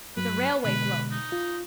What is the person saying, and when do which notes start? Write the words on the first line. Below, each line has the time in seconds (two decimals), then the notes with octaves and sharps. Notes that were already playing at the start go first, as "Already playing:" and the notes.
With a railway bloke.
0.17 G2 F#3 B4
0.64 B2 D3 G#3 B4
1.11 D#4
1.32 F4